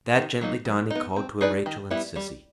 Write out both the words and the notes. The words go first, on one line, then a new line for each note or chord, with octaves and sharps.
That gently done, he called to him Rachael and Sissy.
D#3
F#3 A#3 D#4
F#3
B3 D#4
C4
D#4 G#4 B4 D5
D#3
G3 B3 E4
G3